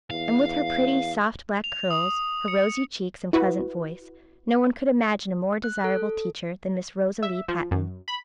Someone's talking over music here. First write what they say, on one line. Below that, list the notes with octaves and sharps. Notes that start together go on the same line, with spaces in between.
And with her pretty soft black curls, her rosy cheeks and pleasant voice, no one could imagine a more desirable teacher than Miss Rosalie Pattten.
E2 F5
F7
D#6
C#7
E4 F#4 B4
F#6
A4
E5
F3
F#2
B5